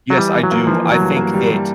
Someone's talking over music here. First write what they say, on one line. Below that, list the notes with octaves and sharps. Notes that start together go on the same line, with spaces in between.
yes, I do. I think that
F#3
E3 G3
E3
F#3
A#3
E3 F3
E3
F#3
G2
A#3
G3
G3